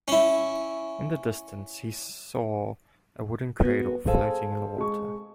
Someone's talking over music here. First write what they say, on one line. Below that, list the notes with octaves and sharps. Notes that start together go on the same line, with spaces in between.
In the distance he saw a wooden cradle floating on the water.
C#4 E4
B3 F#4
G#4 A4 C5 F5
G#3 C#6